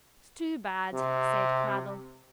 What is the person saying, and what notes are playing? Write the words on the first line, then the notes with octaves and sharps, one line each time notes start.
"It's too bad," said Cradell.
C3